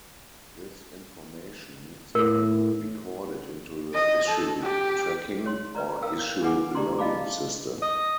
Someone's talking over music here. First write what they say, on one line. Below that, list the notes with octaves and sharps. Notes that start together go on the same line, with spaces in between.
This information needs to be recorded into the issue tracking or issue logging system.
A2 A4 A#4
D#5
A4
G4
C#5 C6
B4 D5 A#5
A4 A#4 F5 G5 E6
D4 G#4 B4 F#5 G#5 D6
G4 D5 A5 A#5 C6
D5 D#5 F5 A5 B5 D6
D#5